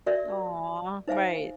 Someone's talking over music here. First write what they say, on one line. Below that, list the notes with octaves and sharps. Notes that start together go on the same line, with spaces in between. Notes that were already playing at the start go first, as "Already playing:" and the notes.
Aw! Right.
F#4 A#4 D5 E5
D#4 C5 E5 F5 G#5